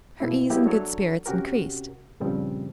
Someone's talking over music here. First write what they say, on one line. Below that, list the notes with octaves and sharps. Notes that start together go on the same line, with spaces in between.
Her ease and good spirits increased.
B2 A#3 E4
F#3 G#3 A#3 B3 E4 G4
F#3 D4 A4 C#5
C3 C#4 F#4 G4 A#4
G2 A#2 C#3 F3 G3 C4